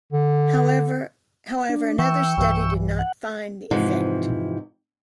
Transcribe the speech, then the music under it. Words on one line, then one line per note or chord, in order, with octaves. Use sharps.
However, another study did not find the effect.
D3
D4
E3 G5 C#6 E6
B1 G2 E3
F#5
F2 G#2 C3 E3 F3